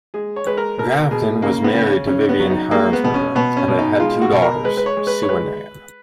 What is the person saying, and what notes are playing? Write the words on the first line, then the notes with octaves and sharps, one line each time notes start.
Grafton was married to Vivian Harnsberger, and they had two daughters, Sue and Ann.
G#3 G#4
C#5
G#3 B4
A#4
B2 A#4
B2 G#4
C#3 A#3
B3
C#3
C#4
C#3 C#4
B3
F#3
D#4
G#3 A#3
B3
B2 B3
C#4
B2 B3
C#4
B2
D#4
G#3 F4
F#4
B2
A#4
G#3 B4
B4
C#5
G#3
B4
C#5
G#3 B4